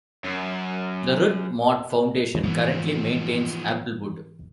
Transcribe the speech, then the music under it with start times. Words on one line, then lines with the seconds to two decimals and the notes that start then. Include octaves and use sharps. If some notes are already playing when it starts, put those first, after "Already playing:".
The Ruth Mott Foundation currently maintains Applewood.
0.25 F#2
2.43 G#2 E3 F3 A#3 B3